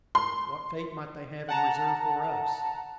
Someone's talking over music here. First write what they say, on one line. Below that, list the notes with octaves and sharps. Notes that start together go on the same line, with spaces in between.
What fate might they have in reserve for us?
C6
F#5 A5 A#5